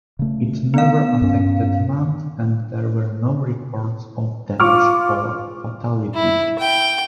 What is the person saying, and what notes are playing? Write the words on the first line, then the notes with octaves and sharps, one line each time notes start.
It never affected land, and there were no reports of damage or fatalities.
C#3 A3
B3 F5
G2 C#4
F4 C#6 D6 F6
E4
G5